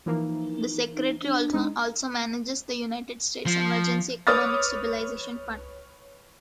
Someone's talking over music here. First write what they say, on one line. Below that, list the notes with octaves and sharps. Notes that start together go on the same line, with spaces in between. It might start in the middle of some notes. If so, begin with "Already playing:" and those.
The Secretary also manages the United States Emergency Economic Stabilization fund.
E3 F3 A#3 D#4
D#4
D4
G#3 D#4
F3
B4 C#5 D6 D#6 F6 A6